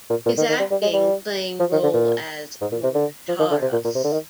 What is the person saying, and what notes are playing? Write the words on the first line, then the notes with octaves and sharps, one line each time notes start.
His acting playing role as Mojarras.
A#2
A#2
D#3
D#3
G3
G3
G#3
G3
F3
D#3
D3
A#2
G#2
A#2
C3
D3
F3
D#3
D3
C3
A#2
A#2
C3
D3
D#3